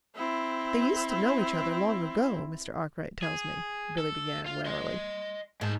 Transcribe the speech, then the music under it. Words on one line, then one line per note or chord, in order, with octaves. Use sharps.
"They used to know each other long ago, Mr. Arkwright tells me," Billy began warily.
C4 E4
G#4
A4
F4
D#5 C6
G#2 G#3 A5